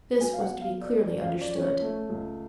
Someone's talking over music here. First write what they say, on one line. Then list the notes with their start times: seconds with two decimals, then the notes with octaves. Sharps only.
This was to be clearly understood.
0.21 F#3 G#5
0.33 F5
0.41 F#5
0.48 B3
0.61 F5
0.75 F#3
0.81 D5
1.01 F#2 D5
1.13 D5
1.22 F5
1.29 F3
1.41 D5
1.55 C#4
1.62 C#5
1.81 A3
2.10 C#2